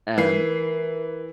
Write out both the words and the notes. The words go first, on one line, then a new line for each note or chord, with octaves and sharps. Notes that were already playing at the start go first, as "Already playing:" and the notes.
t um,
E3 A#4 C7